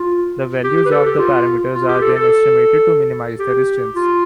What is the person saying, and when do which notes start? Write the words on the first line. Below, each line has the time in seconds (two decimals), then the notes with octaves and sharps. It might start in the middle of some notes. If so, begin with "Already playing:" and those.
The values of the parameters are then estimated to minimize this distance.
Already playing: F4
0.64 G4
0.77 G4
0.85 B4
0.91 A4
1.05 G4
1.18 F4
1.75 F4
1.88 G4
2.01 A4
2.15 A4
3.39 G4
3.95 F4